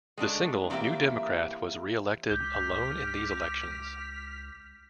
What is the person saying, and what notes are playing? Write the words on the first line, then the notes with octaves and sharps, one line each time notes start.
The single New Democrat was re-elected alone in these elections.
G#3 A3 D4 G#4
E3 A#3 C4 F4 G4 E5
C#2 D6 F6 G6 B6